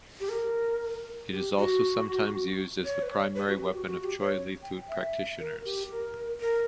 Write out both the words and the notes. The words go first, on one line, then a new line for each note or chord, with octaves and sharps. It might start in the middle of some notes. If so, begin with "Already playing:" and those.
It is also sometimes used as the primary weapon of Choy Li Fut practitioners.
G4
A#4
G4
F#4
C#5
B4
C#5
B4
F#4
G4
F#4
F#4
G4
C#5
G5
E5
A#4
G4
A#4
A#4